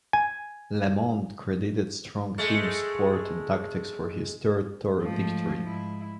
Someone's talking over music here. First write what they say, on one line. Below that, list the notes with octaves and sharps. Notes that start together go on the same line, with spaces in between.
LeMond credited strong team support and tactics for his third Tour victory.
G#5
G#3 A3
G#2 F3 A3
G#2 E4